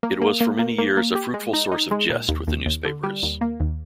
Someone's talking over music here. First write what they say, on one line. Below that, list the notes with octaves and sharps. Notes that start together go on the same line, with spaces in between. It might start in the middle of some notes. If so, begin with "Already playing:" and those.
It was for many years a fruitful source of jest with the newspapers.
A#3
A#3
A#3
A#3
A#3
A#3
G4
G#3
D#4
D#4
G#3
A#2
D#2
D#2
D#2
D3
G3
D#2
A#3
D#2